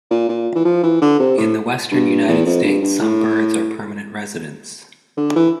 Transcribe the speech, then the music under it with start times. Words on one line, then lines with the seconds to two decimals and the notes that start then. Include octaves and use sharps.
In the western United States, some birds are permanent residents.
0.11 A#2
0.29 A#2
0.55 E3
0.65 F3
0.83 E3
1.01 D3
1.19 C3
1.38 A2
1.91 G2
2.28 E2
2.46 F2
2.63 G2
2.82 G2
3.00 A2
5.17 D3
5.36 E3